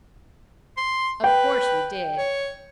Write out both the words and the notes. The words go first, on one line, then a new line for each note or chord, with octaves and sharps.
Of course we did.
C6
B4 G5
C#5